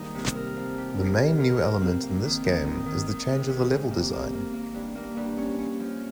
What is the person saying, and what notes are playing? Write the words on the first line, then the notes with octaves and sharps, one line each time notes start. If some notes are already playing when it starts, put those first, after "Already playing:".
The main new element in this game is the change of the level design.
Already playing: G#2 D#3 G3 A#3 D#4
C3
A#4
F3
G4
A#4
A#4
A#4
A#4
C4
A#3
D#3
D#3
D#4
D#3
D#3
C3
C3
G#2
A#3
A#3
A#3
A#3
G2
A#3
G2
C#4
C#4
F3